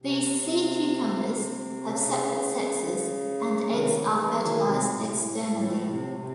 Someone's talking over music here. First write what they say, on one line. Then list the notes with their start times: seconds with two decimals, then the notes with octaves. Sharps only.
These sea cucumbers have separate sexes, and eggs are fertilized externally.
0.02 C3
1.87 C#3
3.70 C3 D#3
3.94 C#3
4.17 E3 G#3
4.40 D#3 F#3
4.63 C3
4.94 A2
5.24 A2
5.55 A2
5.86 C3
6.17 C3